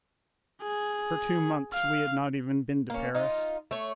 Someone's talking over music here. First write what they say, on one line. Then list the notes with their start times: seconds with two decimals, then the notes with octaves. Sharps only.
For two months we had not even been to Paris.
0.63 G#4
1.73 F5
2.90 A#3 C#4
3.15 D#4 F4
3.71 A3 C#5